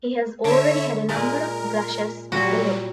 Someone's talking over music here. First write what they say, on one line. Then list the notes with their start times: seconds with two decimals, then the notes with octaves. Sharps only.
He has already had a number of brushes with the law.
0.44 D3 C#5 E5
1.09 A#2 G#3 A#4
2.32 A#2 F#3 G3 F#4